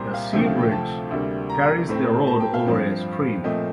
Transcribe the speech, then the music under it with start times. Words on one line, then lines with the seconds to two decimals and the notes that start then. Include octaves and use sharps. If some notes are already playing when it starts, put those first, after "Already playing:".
The "Sea Bridge" carries the road over a stream.
Already playing: C2 A#2 G3 C4 A#5 C6 D6
0.14 F5
0.33 D2 C3 F3 A3 C4
0.46 F5
0.59 G5
0.72 A5
1.11 D2 C3 G3 A#3
1.49 A#5
1.89 A2 A3 C4
2.27 A5
2.40 G5
2.54 F5
2.66 G2 F3 C4
3.44 A#2 F3 A3 C4 D#5